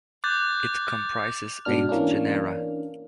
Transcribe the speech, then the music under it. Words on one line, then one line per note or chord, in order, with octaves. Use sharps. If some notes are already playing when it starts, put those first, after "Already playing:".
It comprises eight genera.
D6 F#6 G6 A6
G#2 B2 B3 D4 F6
E3 A#3 C#4 D4